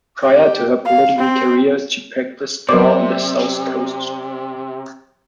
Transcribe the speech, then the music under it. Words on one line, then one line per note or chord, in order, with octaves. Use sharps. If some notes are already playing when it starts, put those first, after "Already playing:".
Prior to her political career, she practiced law on the South Coast.
G4
F5
C4
C3 F#3 A#4 C5 D5 D6